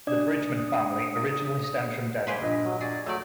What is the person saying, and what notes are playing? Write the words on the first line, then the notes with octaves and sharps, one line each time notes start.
The Bridgeman family originally stems from Devon.
D4 D5 D#6
G4 G#4 B4 F5 C6
A#1 G2 D#5
F#3
G#4 D5
F#3 A3 D#4 D5 E6